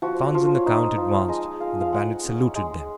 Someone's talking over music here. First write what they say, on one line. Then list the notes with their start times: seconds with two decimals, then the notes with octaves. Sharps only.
Franz and the count advanced, and the bandit saluted them.
0.02 F3 F#4
0.34 F3 F4
0.54 C#5
0.66 D#4 C5
0.97 F3
1.28 G#3 D#5
1.60 G#3 F5
1.81 F5
1.93 G#3 F#5
2.24 C#4
2.55 G#3